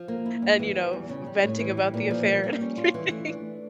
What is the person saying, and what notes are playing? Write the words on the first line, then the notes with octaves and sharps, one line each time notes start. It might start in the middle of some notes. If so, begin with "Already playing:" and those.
and, you know, v venting about the affair and everything.
Already playing: F3
A#3
E4
G2
E3
G3
E2
C#3
G3
A2
E3
G3
A#2
F3
A#3
G3
C#4
F4
E3
A3
D4